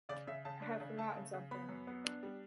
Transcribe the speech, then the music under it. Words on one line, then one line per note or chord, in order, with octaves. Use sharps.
I have forgotten something.
C#3 D5
C#3 E5
C#3 A5
D4
C#3
A3 A5
C#3
C#3
B3 B5
F#2
B3
D4
G3